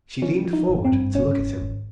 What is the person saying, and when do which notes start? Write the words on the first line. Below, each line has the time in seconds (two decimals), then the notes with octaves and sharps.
She leaned forward to look at him.
0.22 F3 C#4
0.45 F3
0.53 D#4
0.69 G#1
0.85 C4
0.93 G2
1.15 G#1 C#4
1.39 G#1
1.62 G#1